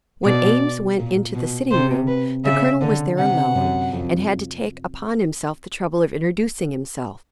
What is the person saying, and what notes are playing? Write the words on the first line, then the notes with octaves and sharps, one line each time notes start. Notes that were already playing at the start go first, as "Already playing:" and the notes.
When Eames went into the sitting-room, the colonel was there alone, and had to take upon himself the trouble of introducing himself.
B2 D5
A#2
B2
C3 C5
B4
C#3 E5
D3
C3 F#5
F#2
F2